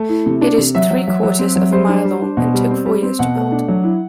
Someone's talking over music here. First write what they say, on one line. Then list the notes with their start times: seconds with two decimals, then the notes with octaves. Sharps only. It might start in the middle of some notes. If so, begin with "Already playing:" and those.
It is three quarters of a mile long and took four years to build.
Already playing: A3
0.09 E4
0.26 C3
0.41 D4
0.58 C3
0.75 F#3 E5
0.90 F#3
1.08 F#3
1.23 F#3
1.39 C4
1.56 F#3
1.72 G3 C5
1.89 D4
2.05 G3
2.22 D4
2.37 B2
2.54 G3
2.70 C4
2.86 G3
3.03 C4
3.19 B2 F#5
3.35 A3
3.52 D4
3.68 F#3
3.83 E4